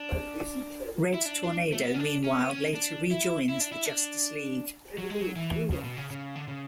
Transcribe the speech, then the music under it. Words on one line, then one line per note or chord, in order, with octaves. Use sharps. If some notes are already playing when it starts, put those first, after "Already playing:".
Red Tornado meanwhile later rejoins the Justice League.
Already playing: D4
E4
D4
D4
A3
B3
C#4
D4
C#4
B3
C#4
D4
E4
E4
D4
E4
D4
F#3
G#3
F#3
E3
C#3
B2
C#3
C#3
D3
C#3